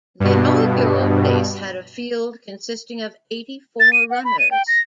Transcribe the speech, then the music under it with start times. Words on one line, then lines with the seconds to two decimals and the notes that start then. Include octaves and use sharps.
The inaugural race had a field consisting of eighty-four runners.
0.20 G2 B2
3.80 A6
3.93 D#7
4.11 F#5
4.25 B5
4.39 D#7
4.51 G5
4.68 A#6